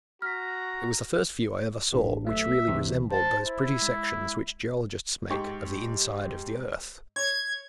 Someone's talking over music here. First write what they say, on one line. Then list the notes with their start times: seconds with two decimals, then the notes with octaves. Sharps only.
It was the first view I ever saw, which really resembled those pretty sections which geologists make of the inside of the earth.
0.22 F#4 A#5 F6 B6
1.93 A1 A2 D4
2.27 B1 A3 E5
2.68 D2 C3 E3
3.11 C5 A5
3.45 E4
3.82 G#3
5.30 G#2 G4 C#6
7.16 C#5 G#6